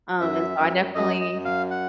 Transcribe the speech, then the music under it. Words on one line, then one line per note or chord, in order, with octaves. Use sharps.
um, and so I definitely
F#2 E5
F#2
F#2 D#5
D#5
F#2
F5
F#5